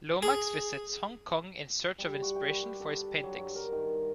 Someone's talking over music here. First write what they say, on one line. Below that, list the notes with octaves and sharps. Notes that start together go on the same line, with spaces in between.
Lomax visits Hong Kong in search of inspiration for his paintings.
G#4
G3
F#4
G5
B4
G4
D3
F#3
G2
A#4
D#3